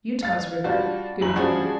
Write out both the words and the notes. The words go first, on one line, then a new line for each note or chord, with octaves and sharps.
Utah's River.--Good camp.
F5 A6
G3 D4 F4 F#4
F#1 G2 F#7
F3 G3 C#4 D4 F#4 G#4